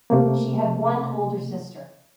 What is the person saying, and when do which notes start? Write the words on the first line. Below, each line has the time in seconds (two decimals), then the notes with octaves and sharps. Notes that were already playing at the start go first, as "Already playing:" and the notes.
She had one older sister.
0.10 C3 A3 A#3